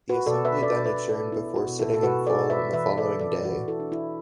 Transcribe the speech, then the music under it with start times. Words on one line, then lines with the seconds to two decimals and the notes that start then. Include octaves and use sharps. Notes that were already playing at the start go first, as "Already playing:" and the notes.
The assembly then adjourned before sitting in full on the following day.
0.09 F#4 B4
0.26 B2 A4 D5
0.45 B4 E5
0.62 D4 A4 D5
0.86 B4 E5
0.98 B2
1.09 A4 D5
1.32 B3 E4
1.56 F#4
1.68 B2
1.79 E4 A4
1.94 A4
2.03 B2 F#4 B4
2.27 A4 D5
2.38 B2
2.50 B4 E5
2.73 E3 B4 E5
2.97 A4 D5
3.09 D4
3.20 A4 D5
3.44 E3 F#4 B4
3.68 E4 A4
3.80 D4
3.92 E4